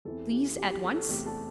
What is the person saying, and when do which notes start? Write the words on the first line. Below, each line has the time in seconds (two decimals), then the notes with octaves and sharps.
Please, at once?'
0.05 E2 E3 C4 A4
0.31 G4
0.58 G4
0.71 G4
0.84 A4
0.96 A4
1.09 E2 C3 A3 C4 G4
1.26 A4 A5